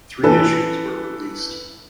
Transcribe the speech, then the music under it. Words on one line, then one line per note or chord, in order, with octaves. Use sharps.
Three issues were released.
E3 A4 B4